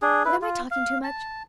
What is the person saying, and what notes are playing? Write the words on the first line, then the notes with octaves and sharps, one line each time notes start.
But am I talking too much?
D4 G#4
E4 B4
F4
F5
A5